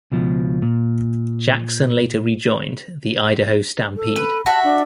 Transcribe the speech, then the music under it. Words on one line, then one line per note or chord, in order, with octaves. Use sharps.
Jackson later rejoined the Idaho Stampede.
C#2 B2 F3
A#2
A4
B4
F#4 E5 A5
D4